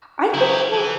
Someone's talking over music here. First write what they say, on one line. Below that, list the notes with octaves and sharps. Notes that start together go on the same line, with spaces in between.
I think so
C#3 F#3 E4 G4
E3